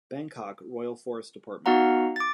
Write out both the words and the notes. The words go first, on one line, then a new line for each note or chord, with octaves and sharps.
Bangkok: Royal Forest Department.
B3 D#4 F#4 F5 F#5 A#5
D6 A6